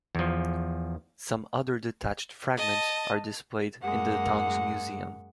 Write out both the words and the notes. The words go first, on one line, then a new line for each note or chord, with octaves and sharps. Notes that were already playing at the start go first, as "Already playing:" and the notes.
Some other detached fragments are displayed in the town's museum.
E2 F3
D#5 A5
F#2 G#3 A#3 F#5